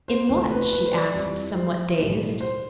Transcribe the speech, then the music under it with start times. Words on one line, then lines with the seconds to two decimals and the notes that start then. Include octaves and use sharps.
"In what?" she asked, somewhat dazed.
0.08 C5
0.29 F1 F2 E3 A3 C5
0.50 B4
0.72 B4
0.86 C5
0.92 D5
1.14 F2 E3 G3
1.56 C5
1.99 B1 A2 G3
2.40 C5